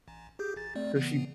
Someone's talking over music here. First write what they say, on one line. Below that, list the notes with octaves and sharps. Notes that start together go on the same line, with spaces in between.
So she
A1
G4 G#4 G6
A1 A6
A3 C4 D5
C#3 E3 B3